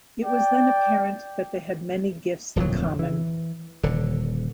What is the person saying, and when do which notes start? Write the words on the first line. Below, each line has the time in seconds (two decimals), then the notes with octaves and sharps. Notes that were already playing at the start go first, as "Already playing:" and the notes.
It was then apparent that they had many gifts in common.
0.24 D5 G5
2.56 D1 F2 A#2 F#3
2.99 E3
3.83 D#1 D3